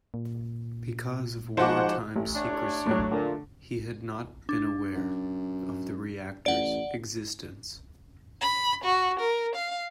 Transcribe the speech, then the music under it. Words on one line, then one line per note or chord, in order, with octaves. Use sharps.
Because of wartime secrecy, he had not been aware of the reactor's existence.
A#2
G#2 F3 F#4 C5 F#5 D6
A1
D4 C#5
A2 F#3
A#2 D3 A3
D4
F#2
A1 D5 F#5
B5
F#4
A#4
F5